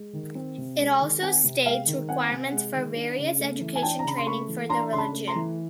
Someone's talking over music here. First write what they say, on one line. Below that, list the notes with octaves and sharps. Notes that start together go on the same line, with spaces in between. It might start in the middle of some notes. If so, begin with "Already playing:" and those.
It also states requirements for various education training for the religion.
Already playing: G#3
D#3
C4
C3
G#3
D#3
C4 F#5 G#5
C3
G#3 F5 G5
D#3
C4 F#5 G#5
C3
G#3
D#3
D4
C#3
A3
E3
G#5
D4 G5 A5
A#5
C#3 B5
C6
A3 B5 C#6
E3
D4 A#5 C6
C#3 C6
A5 B5
A3
A#5 C6
E3